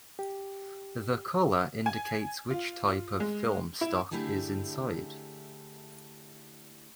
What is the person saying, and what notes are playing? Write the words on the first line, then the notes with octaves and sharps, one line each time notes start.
The color indicates which type of film stock is inside.
G4
G#5
F4
G#3
E4
D3 A3 E4 G4 G#4 A5